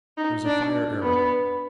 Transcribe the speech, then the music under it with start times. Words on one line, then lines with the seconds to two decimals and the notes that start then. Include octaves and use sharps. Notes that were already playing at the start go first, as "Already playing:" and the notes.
It was a fire-arrow.
0.17 D#4
0.46 D4
1.02 B3